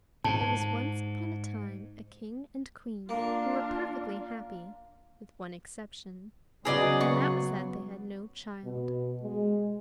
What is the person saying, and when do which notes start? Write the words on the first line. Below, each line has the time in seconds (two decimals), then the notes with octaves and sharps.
There was once upon a time a King and Queen who were perfectly happy, with one exception, and that was that they had no child.
0.24 G#2 A5
3.09 A#3 D4 F4
6.65 C#3 F#3 B3 G#4 D5 D#5
7.01 C#6
8.64 B2
9.22 G#3